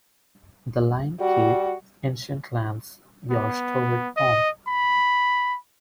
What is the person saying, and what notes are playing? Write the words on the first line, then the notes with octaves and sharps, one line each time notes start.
The line Keep, ancient lands, your storied pomp!
G3 F#4
B3
D#5
B5